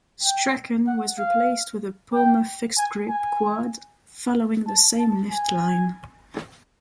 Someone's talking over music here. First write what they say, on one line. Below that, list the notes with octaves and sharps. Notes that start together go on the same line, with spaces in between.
Strachan was replaced with a Poma fixed-grip quad following the same lift line.
G5
F#5
F5
G5
G#5
G#5
A5
A5
G#5